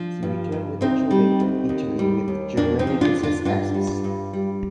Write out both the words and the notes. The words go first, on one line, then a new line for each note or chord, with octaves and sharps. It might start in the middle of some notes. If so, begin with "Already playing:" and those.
She returned with her children to Italy with Germanicus' ashes.
Already playing: F3 D4
G2
G2
D2 C4 D#4
G3
D2
D#2
G3
D#2
F2 A#3 D4
C4 D#4
F3
D4 F4
F2
D4 F4
G2 D4 F4
G3
G2
G3